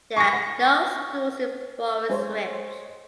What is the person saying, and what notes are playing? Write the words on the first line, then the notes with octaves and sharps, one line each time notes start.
There are no schools in Forest Ridge.
C#6 A#6
G#3 C5 C#5